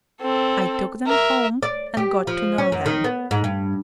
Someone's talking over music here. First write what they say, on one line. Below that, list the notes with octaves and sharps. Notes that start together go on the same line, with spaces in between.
I took them home and got to know them.
C4 A4
A#4 E5
D5
G4
F3
C#4
F#2
D#3
B3
G#2
G2